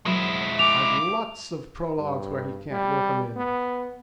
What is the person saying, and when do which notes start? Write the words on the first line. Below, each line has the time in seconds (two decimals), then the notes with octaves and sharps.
I've lots of prologues where he can't work 'em in.
0.06 D#2 F#3 G#3 C4 E4
0.59 F5 G#5 D6 F7
1.98 G2
2.71 G3
3.36 B3